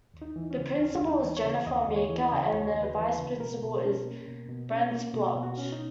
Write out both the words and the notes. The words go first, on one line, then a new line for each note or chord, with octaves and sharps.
The principal is Jennifer Meeker and the vice-principal is Brent Bloch.
D#2
D#4
E3
C#4
C#3
D#2 C#4
D#2
D#4
E3
C#5
C#3
D#2 D#5
D#2
C#5
E3
D#5
C#3
D#2 C#5
D#2
B4
E3
B4
C#3
B2 A#4
B2
C#4
A#3
B2
B2
C#4
A#3
B2
B2
F#4
C#4
D#4